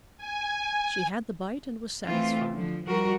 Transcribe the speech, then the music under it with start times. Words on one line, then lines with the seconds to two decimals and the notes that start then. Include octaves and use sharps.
She had the bite and was satisfied.
0.17 G#5
2.04 E3 A3 C4 F4
2.52 D3 F3
2.86 F3 G3 F#4 A#4